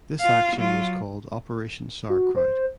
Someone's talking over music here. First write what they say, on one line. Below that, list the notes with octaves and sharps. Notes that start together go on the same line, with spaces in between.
This action was called Operation Sauerkraut.
F4 F5
F#3 F4
F#4
C5